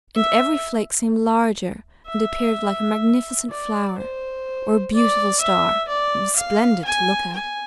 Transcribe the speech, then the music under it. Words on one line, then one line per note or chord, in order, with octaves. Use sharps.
And every flake seemed larger, and appeared like a magnificent flower, or beautiful star; it was splendid to look at!
E5
E5
D5
C5
D5
E5
D5
F5
G#5
G#5